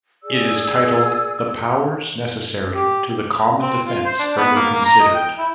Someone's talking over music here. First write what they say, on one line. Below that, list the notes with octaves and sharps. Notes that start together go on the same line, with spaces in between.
It is titled, The Powers Necessary to the Common Defense Further Considered.
G#4 D5 E6
G4
C4
F4
C5
D4
B3
A#3
A#3
A#5
D#5
G5
E4